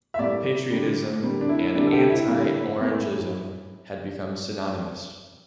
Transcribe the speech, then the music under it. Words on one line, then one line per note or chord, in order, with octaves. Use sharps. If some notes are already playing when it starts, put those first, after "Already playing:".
Patriotism and anti-Orangism had become synonymous.
E5
A2 G3 A#3 D5
D3 G3 A#3
D3 G3 A#3
D4
E4
D3 G3 A#3 D4
A4
G4
E4
D3 G3 A#3
A2 E3 A#3